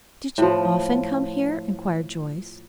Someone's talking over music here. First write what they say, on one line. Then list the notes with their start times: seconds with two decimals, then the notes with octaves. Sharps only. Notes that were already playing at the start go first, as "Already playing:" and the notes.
"Did you often come here?" inquired Joyce.
0.38 A2 F3